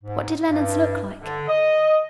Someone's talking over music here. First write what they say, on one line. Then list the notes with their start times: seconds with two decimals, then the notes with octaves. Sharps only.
What did Leonards look like?'
0.04 G#2
0.49 G2
1.22 D3
1.48 D#5